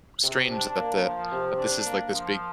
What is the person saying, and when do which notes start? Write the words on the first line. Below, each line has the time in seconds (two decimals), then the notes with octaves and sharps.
strange that the that this is, like, this big,
0.23 C3
0.50 D4
0.77 A#3
1.04 F3
1.31 C3
1.58 D4
1.85 A#3
2.12 F3